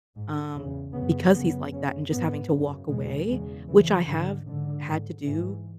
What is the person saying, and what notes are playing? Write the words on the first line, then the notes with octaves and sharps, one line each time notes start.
um, because he's like that and just having to walk away. Which I have had to do,
G#2
E2 C#3
F#2 C#3 B3
F#2 C#3 B3
F#2 C#3 C#4
G#2 B3
F#2 C#3
E2 B2 G#3
E2 C#3 G#3
E2 C#3 E3
G#2 D3
G#2 D3
G#2
G#2 E3